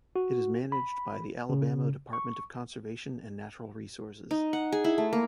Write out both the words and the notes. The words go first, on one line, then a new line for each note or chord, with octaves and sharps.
It is managed by the Alabama Department of Conservation and Natural Resources.
F#4
B5
C#3
C#6
D#4
F#5
G#4
E4
A3
A#3